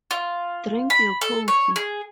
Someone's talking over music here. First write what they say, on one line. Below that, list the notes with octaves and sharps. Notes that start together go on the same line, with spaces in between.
Drink your coffee.
F4
B5
A4
C#5
G#4